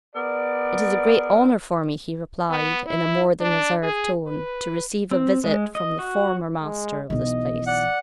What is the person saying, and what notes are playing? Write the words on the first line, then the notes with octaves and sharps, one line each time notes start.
"It is a great honor for me," he replied, in a more than reserved tone, "to receive a visit from the former master of this place."
B3 G#4 A#4 D5
B3
E4
D4
G#4
B4
C4
G#3
D#5
F#4
G#3
B1 E3 D#5
D5 F#5